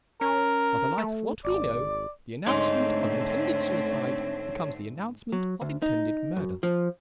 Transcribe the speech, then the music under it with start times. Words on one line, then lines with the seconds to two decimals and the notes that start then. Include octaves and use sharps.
By the light of what we know, the announcement of intended suicide becomes the announcement of intended murder.
0.21 C#4 A#4
0.98 A3
1.45 G#1 D5
2.46 G#2 D3 A3 C4 D#4 C#5 C6
5.32 F#3
5.61 D2
5.82 D#4
6.36 F#2
6.63 F3